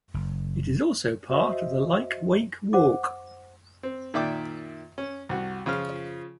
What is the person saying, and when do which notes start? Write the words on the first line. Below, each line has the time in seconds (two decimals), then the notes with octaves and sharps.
It is also part of the Lyke Wake Walk.
0.14 F#1
1.31 F#4 C5 D#5 E5
2.73 C5 F#5 D6
3.83 C4
4.14 A#2 D#3 D5 E5 G5 D6
4.98 C#4
5.29 C2 F#4
5.66 C#3 F3 F4 F6